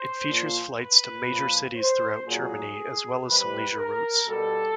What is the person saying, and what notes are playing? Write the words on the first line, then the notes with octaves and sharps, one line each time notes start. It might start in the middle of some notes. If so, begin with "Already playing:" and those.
It features flights to major cities throughout Germany as well as some leisure routes.
Already playing: C5
A#2 F3
B4
A#2 F3
C5
A#2 F#3 G#4
C3 E3 G3 B4
A#4
B2 G3 A4